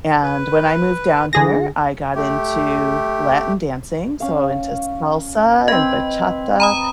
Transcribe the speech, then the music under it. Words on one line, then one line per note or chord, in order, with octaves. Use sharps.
and when I moved down here, I got into Latin dancing, so into salsa and bachata
B4
D3 E3 G#4 A#6
A3 G4
C#4 F5
C4 B4 D#5
A#5 B5 D#6